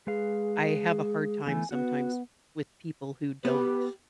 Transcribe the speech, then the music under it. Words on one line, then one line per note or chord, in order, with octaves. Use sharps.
I have a hard time sometimes with people who don't,
G#3 G#4 B4 F5
E3 A3 B3 G#5
B3 F#4
B3 G4 B4